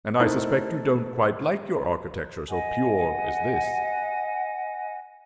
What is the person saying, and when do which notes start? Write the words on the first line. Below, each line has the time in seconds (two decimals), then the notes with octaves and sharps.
And I suspect you don't quite like your architecture so "pure" as this.
0.20 A3 C4 D#4 E4 A4 A#4
2.49 D#5 F#5 G#5